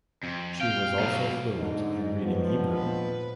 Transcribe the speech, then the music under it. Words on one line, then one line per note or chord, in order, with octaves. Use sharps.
She was also fluent in reading Hebrew.
F2
F5 G5
B2 F#3
G#2 D3 D#4
D3 D#3 F3 B3
A#2 B4